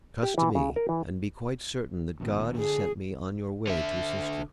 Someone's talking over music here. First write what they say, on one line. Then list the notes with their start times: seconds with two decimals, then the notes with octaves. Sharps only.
Trust to me, and be quite certain that God has sent me on your way to assist you.
0.23 G4
0.38 E3
0.55 C#3
0.76 A#4
0.89 E3
2.20 A#1 D#2 B2
2.59 D3 G#4
3.67 D3 E5